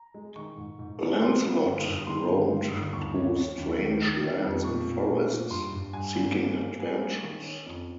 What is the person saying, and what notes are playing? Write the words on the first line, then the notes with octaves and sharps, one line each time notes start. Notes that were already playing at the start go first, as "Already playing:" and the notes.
Lancelot roamed through strange lands and forests seeking adventures.
Already playing: A#5
G#3
D#3 C#6
G#2
G#2
D#3
G3 C6
A#3
G1
G2
D#3 C6
G1
D#3
G1
D#2 C#6
C#4
C#4
D#2
D#3
D#3
D#3
F2
A#2 C#6
A#2
A#2
A#2
G2 C6
G2
G2 G#5
G#1
A#3
A#3
G3 G#5
A#3
D#3
C#4
F2